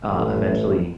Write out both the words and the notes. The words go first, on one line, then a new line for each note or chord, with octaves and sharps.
uh, eventually,
A1